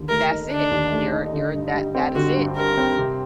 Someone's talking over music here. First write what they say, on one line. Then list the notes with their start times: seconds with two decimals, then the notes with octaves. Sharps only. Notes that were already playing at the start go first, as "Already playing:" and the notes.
That's it. You're you're that that is it.
Already playing: D#2 D3
0.09 A3 A#4
0.31 D#4
0.51 D3 D4
0.71 D#2
0.92 A3
1.12 D#4
1.33 D3
1.54 G2
1.74 G3
1.95 C4
2.15 D3 F#4
2.36 G2
2.57 G3 A#4
2.77 C4
2.98 C3